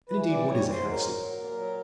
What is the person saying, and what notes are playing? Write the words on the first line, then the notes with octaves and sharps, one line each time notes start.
And, indeed what is a heresy?
E3 B4
G3 D5
G#2 C#5
G#2 C5
F#3 A#4
F#3
A#2
F#3